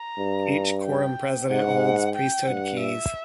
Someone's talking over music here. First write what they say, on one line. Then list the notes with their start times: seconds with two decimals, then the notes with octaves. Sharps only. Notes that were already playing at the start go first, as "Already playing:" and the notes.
Each quorum president holds priesthood keys.
Already playing: A#5
0.18 G2
0.84 G5
1.50 G#2 F#5
2.15 G5
2.48 G2 F#5
2.81 E5